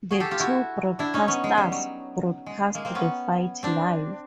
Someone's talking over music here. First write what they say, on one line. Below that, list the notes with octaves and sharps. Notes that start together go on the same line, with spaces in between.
The two broadcasters broadcast the fight live.
F#4 G#4
G4 A4
F4 G4
E4 F#4
D4 E4
C#4 D#4
B3 C#4
G#3
G3
F#3
G#3
G#3 A#3
A#3 C4
B3 C#4
C4 D4